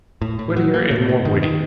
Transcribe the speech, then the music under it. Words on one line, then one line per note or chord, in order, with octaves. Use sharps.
'Wittier and more witty.
A2
A2
F#3
A#3
A2
A2
D#3
D#3